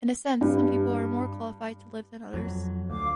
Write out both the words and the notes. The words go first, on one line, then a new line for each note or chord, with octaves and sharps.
In essence, some people are more qualified to live than others.
G2
F2 F#3
D2 F5 D6